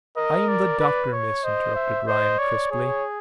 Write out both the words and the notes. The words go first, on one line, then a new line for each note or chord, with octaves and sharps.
"I'm the doctor, miss," interrupted Ryan, crisply.
A#4 D#5
D5
B4
C#5
C5 D#5
E5
C5 D#5
C#5 D5
G#4 C#5